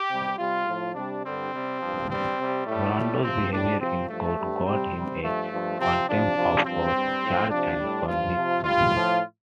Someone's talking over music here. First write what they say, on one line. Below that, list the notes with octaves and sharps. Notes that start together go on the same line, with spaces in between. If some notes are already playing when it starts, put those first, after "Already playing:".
Brando's behavior in court got him a contempt of court charge and conviction.
Already playing: G4
C3 G3
C3 G3 F4
A2 F3
C3 G3 D4
G2 D3 G3 C4
C3 G3
G2 F3
G2 G3 C4
C3 G3
A2 G3 A3
A2 G3
C3 F3 C4
A2 G3 D4
C3 F3 C4
G2 F3 A3
G2 G3
C3 G3 C4
C3 G3
G2 F3 A3
G2 F3
C3 F3 C4
C3 F3 D4
C3 F3
G2 F3 C4
G2 G3
A2 F3
C3 F3 D4
A2 G3
G2 F3 F4
C3 F3
G2 G3 F4
A2 F3